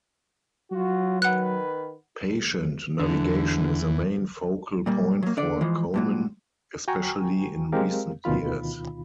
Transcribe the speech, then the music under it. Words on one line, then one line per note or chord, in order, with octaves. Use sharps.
Patient navigation is a main focal point for Komen, especially in recent years.
F#3 F4 F#4
D#3 B4 F#5 F#6
E2 D3
A#2 G3 A#3
F#3 A#3
D3 D5
E3 F3 G#3
G2 A#2 F#3
F#4 G5 G#5 A#5 C#6
G#3 C4 G4 A#4 F5
D2 B2 D#3 F4 B5